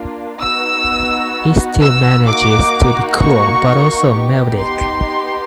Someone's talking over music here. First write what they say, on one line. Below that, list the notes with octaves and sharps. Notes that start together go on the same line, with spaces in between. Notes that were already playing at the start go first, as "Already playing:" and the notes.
It still manages to be cool, but also melodic.
Already playing: A#3 D4 F4
B3 D#4 F#4 E6
E6
A#3 D#4 F#4 D6
C#6
B3 D#4 G4
C6